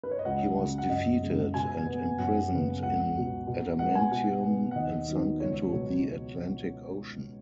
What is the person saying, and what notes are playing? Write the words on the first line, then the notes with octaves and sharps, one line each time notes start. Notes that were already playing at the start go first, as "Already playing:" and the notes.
He was defeated and imprisoned in adamantium and sunk into the Atlantic Ocean.
B4
C#5
D#5
C#2 F#5
C#3 F#3
F#5
F#2 D#5
C#3 G#3
B2 G#5
B3
F#2 F#5
C#3 B3
C#2 F#5
B2 F#3
B2
G#3 B3 F#5
G#5
B2 F#5
B3
F#5
D#2 D#5
D#3 F#3 B3
C#2 C#5
B2 F#3